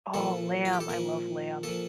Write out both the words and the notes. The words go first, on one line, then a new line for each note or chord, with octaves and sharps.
Oh, lamb. I love lamb.
A#2 F3 A4
F4
G4
A4
A#2 F3 A#4
A#2 F3 A4